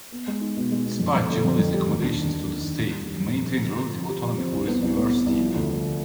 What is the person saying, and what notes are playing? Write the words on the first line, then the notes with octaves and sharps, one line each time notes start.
Despite Gemelli's accommodations to the state, he maintained relative autonomy for his university.
B3
G#3
D#4
B2
G#3
B2
F2
F2
D3
F2
F2
G3
D#2
D4
D#3
D#2
D4
D#3
D#3
G3
G3
F2
F2
C4
D3
F3
F3
G4
F3
C4
C2
B3
C2
B3
B3
C2
F3
D2
D2